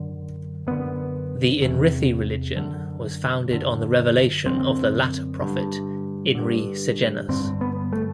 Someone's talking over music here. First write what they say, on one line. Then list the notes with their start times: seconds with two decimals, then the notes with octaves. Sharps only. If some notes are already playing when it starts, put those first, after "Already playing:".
The Inrithi religion was founded on the revelation of the Latter Prophet, Inri Sejenus.
Already playing: F#2 D3
0.67 F#2 D3 B3
1.62 E2 C3
2.56 F#2 D3
3.51 F#2 D3
4.46 F#2 D3 C4
5.40 G2 D3
6.35 G2 D3
7.29 G2 D3 C4
7.61 B3
7.93 A3